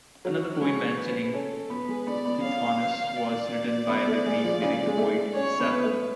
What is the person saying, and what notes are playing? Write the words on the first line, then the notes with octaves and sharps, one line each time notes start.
Another poem mentioning Tithonus was written by the Greek lyric poet Sappho.
F#3 F#4
G#3 C#5
B4
C#4 A4
B3 B4
G#3
B3 D5
B3
C#4 F5
D5
B3
A3
G#3
F3
C#3
G#3
A3
C#4 C#5
B3
B4
A3